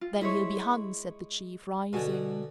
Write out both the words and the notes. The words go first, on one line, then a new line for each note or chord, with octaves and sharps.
"Then he'll be hung," said the Chief, rising.
F4
G#3 E4 C5 C#5
B2 D3 F#4 G#5 A5